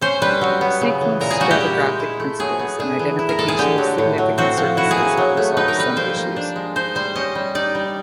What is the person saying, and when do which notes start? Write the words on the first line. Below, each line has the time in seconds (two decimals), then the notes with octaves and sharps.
Sequence stratigraphic principles and identification of significant surfaces have resolved some issues.
0.01 C#4 C5
0.22 G3 B4
0.41 F#3
0.61 B3
0.81 C#3
1.01 E3
1.21 A#2 A#4
1.31 G#4
1.40 G3 F#4
1.51 G4
1.61 E4
1.80 G#3
2.00 E4
2.20 A3
2.39 F#3 G#4
2.59 B3
2.79 D4 G#4
2.99 E3
3.19 E4
3.29 A#4
3.39 G#3 A4
3.48 G#4
3.59 D3 G4
3.78 F#3
3.98 A2
4.18 F#3
4.38 C4 F#4
4.57 F3
4.77 E4 F#4
4.91 G#4
4.98 A#3
5.17 F#3
5.37 A3
5.57 D#4 B4
5.68 A#4
5.77 G3 B4
5.96 F3 C5
6.16 A#3
6.36 D4
6.56 G#3
6.76 D#4 C5
6.95 G3 C5
7.15 C#4 D#5
7.35 G3
7.55 D#4 D5
7.75 G3